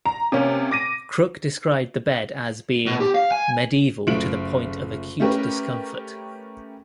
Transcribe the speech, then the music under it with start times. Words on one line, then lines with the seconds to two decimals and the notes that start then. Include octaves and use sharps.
Crook described the bed as being "medieval to the point of acute discomfort".
0.05 A#5
0.32 C3 A#3 C#4
0.71 D6 A#6 D#7
2.86 B2
3.00 G4
3.15 F5
3.32 G#5
4.07 F#1 A3 F4 D7 F#7
5.20 A3 C#4 G4 A#4 B4